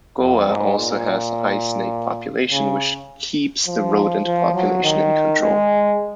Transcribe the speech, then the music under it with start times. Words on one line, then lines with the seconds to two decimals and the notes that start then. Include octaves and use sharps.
Goa also has a high snake population, which keeps the rodent population in control.
0.19 F2
0.46 G#2
0.76 A#2
2.51 C#3
3.67 F3
4.26 F3
4.54 F#3
4.83 D#3
5.41 G#3